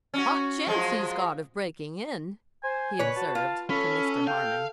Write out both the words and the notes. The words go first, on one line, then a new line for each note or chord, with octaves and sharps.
"Hot chance he's got of breaking in," he observed to Mr. Harmon.
C#4 F#4
F3 F#3 G#3
C5 G#5
A#2 B4 C#5
F#4 A5
F4 F5
C#4 A4 B5
A4 F5 G5